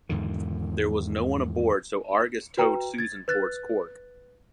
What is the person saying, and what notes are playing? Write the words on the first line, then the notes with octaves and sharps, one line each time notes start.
There was no one aboard so "Argus" towed "Susan" towards Cork.
E2 G#2 D3 D#3
F#4 B4 G5 A#5
G#6 A6
B4 F#6 A6